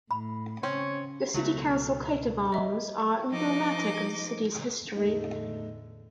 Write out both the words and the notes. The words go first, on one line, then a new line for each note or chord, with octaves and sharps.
The city council's coat of arms are emblematic of the city's history.
A2 B5
C#3 C4 C#4 C#5
C#2 B2 F#3 A3
D#5 E5
F3 D#4 D#5 D6
E2 A2 D3 A3 D#4